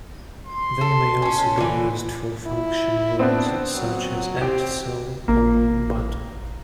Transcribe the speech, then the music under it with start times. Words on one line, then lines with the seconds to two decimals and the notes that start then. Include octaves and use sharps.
They may also be used for function words such as 'at', 'so' or 'but'.
0.47 C6
0.81 A4
1.22 C#4 A4
1.58 D3 E3
2.46 E4
3.19 B3 C4 D4
3.75 F#3
4.42 C4 G4
5.28 A1 A#3